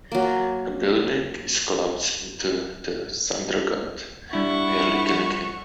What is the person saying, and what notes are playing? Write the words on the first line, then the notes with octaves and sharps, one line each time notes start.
A building is collapsed onto the Thunder God, nearly killing him.
F#3 A#3
G3 D4 E4 F#5 C#6